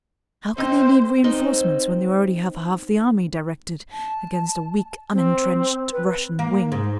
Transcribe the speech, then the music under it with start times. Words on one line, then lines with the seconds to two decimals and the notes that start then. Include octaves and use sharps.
"How can they need reinforcements when they already have half the army directed against a weak, unentrenched Russian wing?"
0.57 A2 C4 C5 D#5
1.24 C4 D#4
3.91 A5
5.12 C4
5.92 B4
6.39 A#3
6.72 G#2